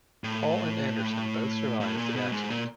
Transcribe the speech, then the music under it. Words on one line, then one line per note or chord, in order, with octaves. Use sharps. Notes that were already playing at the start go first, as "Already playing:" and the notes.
Hall and Anderson both survived the accident.
A2
A2
A#2
B2
G#2
A#2